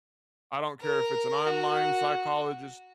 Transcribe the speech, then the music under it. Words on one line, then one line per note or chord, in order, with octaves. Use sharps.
I don't care if it's an online psychologist,
A#4
F#4